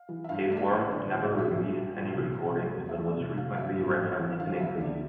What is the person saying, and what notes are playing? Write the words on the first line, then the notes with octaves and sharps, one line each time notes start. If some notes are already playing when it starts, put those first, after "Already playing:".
Tapeworm never released any recordings, but was frequently referenced in interviews.
Already playing: F5
E3
E5
G2 F5
F5
A3 D5
E5
A1
D3 D5
A2 E5
D5
A#1
E5
A#1 E5
G3
A#2
C2
C2
A3
E2
E5
A3
D5
F1
D3 F5
G2 E5
A1
A1
E3
D3 F5
D2 E5
D2 D5